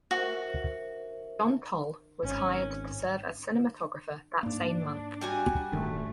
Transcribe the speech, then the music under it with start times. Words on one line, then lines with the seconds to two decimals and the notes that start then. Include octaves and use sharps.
John Toll was hired to serve as cinematographer that same month.
0.11 F#4 A#4 C5 E5
2.23 G#1 C#4
4.43 G#2 A#3 D4
5.21 G3 F#4 G#5
5.72 D#1 G#2 D#3 A3 D4